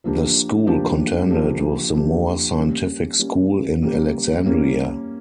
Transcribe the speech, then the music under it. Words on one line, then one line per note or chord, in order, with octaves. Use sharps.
The school contended with the more scientific school in Alexandria.
F3 A#3 D4 G4
F3 A#3 D4 G4
F3 A#3 D4 G4
F3 A#3 D4 G4
G3 A#3 C#4
G3 A#3 C#4
G3 A#3 C#4
G3 A#3 C#4